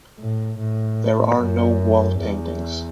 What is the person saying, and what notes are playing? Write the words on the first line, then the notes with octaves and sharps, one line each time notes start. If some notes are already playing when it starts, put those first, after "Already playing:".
There are no wall paintings.
A2
A2
F#2
E2